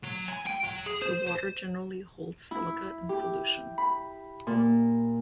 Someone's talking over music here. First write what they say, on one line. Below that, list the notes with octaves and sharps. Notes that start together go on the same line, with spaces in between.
The water generally holds silica in solution.
F#3
G#5
G5
F#3
G#4
C5
C5
E4
G4
B5
A#2